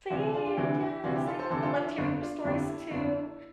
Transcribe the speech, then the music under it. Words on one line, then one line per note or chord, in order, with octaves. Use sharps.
Same, yes, I know, I loved hearing your stories too,
D2 C3 E3 D4 F4
D4 F4
D4 F4
D2 C3 E3 D4
E4
D2 C3 E3 D4 F4
E4 G4
F4 A4
A4 C5
D2 C3 E3 A4 C5
F4 A4
D4 F4
E4
G1 F2 D3
D4 F4
G1 F2 D3 E4 G4
E4
G1 F2 D3